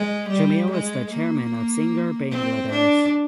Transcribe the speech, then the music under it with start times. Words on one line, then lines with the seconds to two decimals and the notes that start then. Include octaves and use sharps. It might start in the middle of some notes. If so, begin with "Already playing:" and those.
Jamil is the Chairman of Singer Bangladesh.
Already playing: G#3
0.29 G3
0.70 G#3
1.10 A#3
2.30 C4
2.71 D4